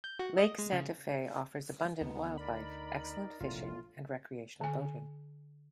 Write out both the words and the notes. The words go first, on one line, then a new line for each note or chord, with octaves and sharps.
Lake Santa Fe offers abundant wildlife, excellent fishing and recreational boating.
G6
F#4
D#5
G#3
C#3
D2 B3 D#4
D#4 A#4 D5 B5
F1 A#1 A2 F4
D3 G#5